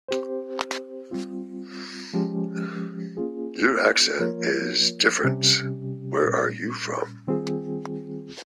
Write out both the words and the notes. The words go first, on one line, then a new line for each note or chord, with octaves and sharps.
Your accent is different, where are you from?
C4 G4 C5
G3 C4 F4
F3 G#3 C#4 G4
A#3 C#4 F4 G#4
F3 A#3 F4 A#4 C#5
C3 G3 C#4 G4
A#2 G3 C#4
D#3 G3 C4 F4 G#4